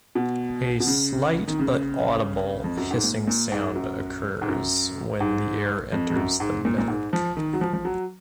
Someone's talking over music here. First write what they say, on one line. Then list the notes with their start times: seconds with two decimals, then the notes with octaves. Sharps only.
A slight but audible hissing sound occurs when the air enters the milk.
0.15 B2
0.80 B2
0.87 C#3
1.48 D#3
1.60 C#3
2.64 F2
2.77 F#2
2.91 G#2
3.04 A#2
3.28 A#2
3.52 G#2
3.75 F#2
4.42 G#2
4.48 F#2
5.21 G#2
5.93 F2
6.10 F2
6.16 F#2
6.40 G#2
6.65 A#2
6.78 A#2
6.88 G#2
7.13 F3
7.37 D#3
7.53 F#3
7.61 F3
7.73 F3
7.85 F#3